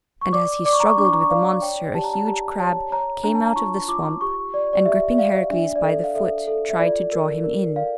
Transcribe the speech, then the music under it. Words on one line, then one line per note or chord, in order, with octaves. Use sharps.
And as he struggled with the monster a huge crab came out of the swamp, and gripping Heracles by the foot tried to draw him in.
C#6
D5 D6
D5 D6
C#6
A#5
C#6
D4 D6
C#6
A#5
C#6
D5 F5
C#5 G5
G4 A5
A#5
A5
G4 A#5
C#5 A5
C#5 A#5
D4 A#5
A5
A#5
F4 C#6
F4 D6
G4 C#6
D5
D5
G4 E5
E5
D5 F5
D4 E5
D5
A4 E5
F5
A4 E5
A4
E5
F4 D5
A#4
A#4
D5 F5